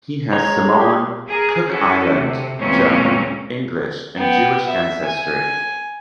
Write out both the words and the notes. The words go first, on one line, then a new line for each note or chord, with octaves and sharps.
He has Samoan, Cook Island, German, English and Jewish ancestry.
G#3 C#5 A#5
G4 G#4
G#4 A#4
C#4 E4 F#4 A4
C3
D2 A#2 E3 G#3 C4 C#4
B3 G5
E5
G#5